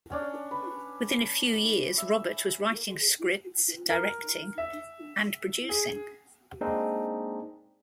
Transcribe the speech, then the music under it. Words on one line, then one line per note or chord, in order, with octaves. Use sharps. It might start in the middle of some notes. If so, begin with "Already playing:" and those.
Within a few years, Robert was writing scripts, directing, and producing.
C#4 D4
B4
E5
A#4
E5
G#4
G#3 A#3 C4 D4 D#4 G#4